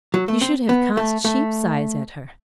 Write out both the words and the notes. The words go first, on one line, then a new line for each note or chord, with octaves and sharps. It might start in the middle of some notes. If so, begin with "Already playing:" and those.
You should have cast sheep's eyes at her.'
F#3
A3
C4
B3
A3
A3